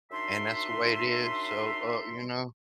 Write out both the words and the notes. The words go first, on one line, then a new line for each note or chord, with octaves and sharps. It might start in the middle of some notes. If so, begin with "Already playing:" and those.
And that's the way it is, so, uh, you know
F#2 D4 D#4 E5 B5 C6